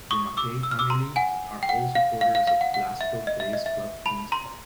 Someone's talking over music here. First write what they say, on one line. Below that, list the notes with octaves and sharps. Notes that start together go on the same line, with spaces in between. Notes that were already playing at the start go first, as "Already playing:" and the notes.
The Mackay family are all supporters of Glasgow-based club Queen's Park.
C#6 D#6
D6 E6
E6
F6
D6 E6
A#5 C6
F#5 G#5
G5
F#5
F5
F5
F5
F5
F#5
F#5
E5
D#5
E5
D#5
E5
A5 B5
A#5 C6